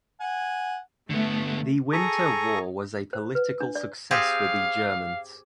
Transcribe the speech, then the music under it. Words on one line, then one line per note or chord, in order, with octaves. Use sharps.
The Winter War was a political success for the Germans.
F#5 G#5
D3 A3 B3
G#4 A4 A#5 C#6 D#6
C5
B4
D4
D5
C4 G4 G#4 F5